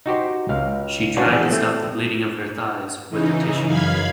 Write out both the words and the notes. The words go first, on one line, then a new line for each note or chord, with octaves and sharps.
She tried to stop the bleeding of her thighs with a tissue.
D#4 F#4 G4 C5
C#2 F5
C#4 D4 F4 F#4 B4
E3 B3 C4 G4 G#4 D5
A3 C4
C#3 E3 D#4
F#2 F5 B5 G#6